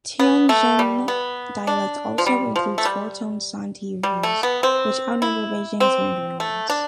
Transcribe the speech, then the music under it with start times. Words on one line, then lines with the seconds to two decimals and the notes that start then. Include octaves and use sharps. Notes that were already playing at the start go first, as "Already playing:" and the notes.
Tianjin dialect also includes four tone sandhi rules, which outnumber Beijing Mandarin's ones.
0.19 B3
0.49 A3
0.79 G3
1.08 B3
1.67 D4
2.18 F3
2.26 G3
2.56 F3
2.78 A3
2.85 G3
4.03 G3
4.23 A3
4.43 B3
4.63 C4
5.22 E4
5.80 C4
6.40 A3
6.69 D4